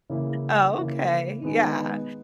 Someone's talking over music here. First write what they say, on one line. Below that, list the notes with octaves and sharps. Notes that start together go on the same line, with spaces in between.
Oh, okay. Yeah,
C#3 E3 A#3 E4
C#3 E3 A#3 E4
D#3 G#3 B3 D#4 G#4